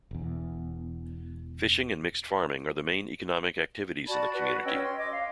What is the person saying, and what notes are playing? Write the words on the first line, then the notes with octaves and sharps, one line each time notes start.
Fishing and mixed farming are the main economic activities in the community.
E1 E2
F#4 D5 A5 B5
F#4 B4 D5
C#4 D#5 G5 E6
C6
D#5 D6
F5